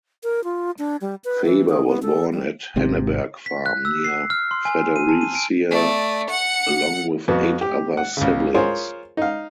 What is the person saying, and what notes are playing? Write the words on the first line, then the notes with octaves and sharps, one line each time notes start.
Faber was born at Henneberg Farm near Fredericia along with eight other siblings.
A#4
F4
D4
G3
B4
E3
G#4
B3
A4
G3
G#1 G#2 C3 C4
B6
F#6
E6
C7
F6
C6
G#5
D#7
A5
D#7
D7
A3 D5
F#5 C#7
F2 B3 F#4
G4
F#5
C#2 C#3
F4 G#4 A#4 C5 C#5
D#4 F5